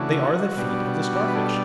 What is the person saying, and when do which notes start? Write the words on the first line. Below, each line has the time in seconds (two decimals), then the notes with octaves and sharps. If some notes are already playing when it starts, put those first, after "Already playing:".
They are the feet of the Starfish.
Already playing: C#3 E3 A3 D4 F#4
0.57 B2 G3 D4
1.28 B4
1.35 A4